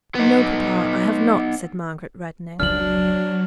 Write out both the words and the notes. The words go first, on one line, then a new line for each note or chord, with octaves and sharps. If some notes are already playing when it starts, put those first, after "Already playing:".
'No, papa; I have not,' said Margaret, reddening.
B3 D#4
F1 C#2 F3 F#3 D4 F6 F#7